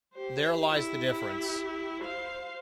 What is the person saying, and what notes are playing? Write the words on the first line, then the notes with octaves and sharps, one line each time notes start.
There lies the difference.
G4 C5
E4 G4
C5 F5